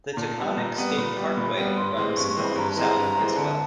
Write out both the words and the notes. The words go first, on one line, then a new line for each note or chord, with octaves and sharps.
The Taconic State Parkway runs north-south as well.
A#5
A#2 A5
G3 B3
A#2 A#5
G3 B3
A#2 B5
G3 B3
A#2
G3 B3
G2 C6
E3 G#3 C4
G2 C#6
C#6
E3 G#3 C4
B5
G2 A#5
A5
E3 G#3 C4 A#5
G2
E3 G#3 C4
D3 A5